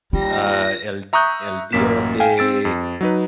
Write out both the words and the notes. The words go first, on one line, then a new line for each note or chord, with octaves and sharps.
Uh, el el dios de
D#2 G3 F4 A#6
E5 A#5 C#6 D#6 F#6 G6
A1 F#2 A#3 B6 E7
F5 G5 G#5
C4 E6 A6 D7
F2
F#3 D#4 B4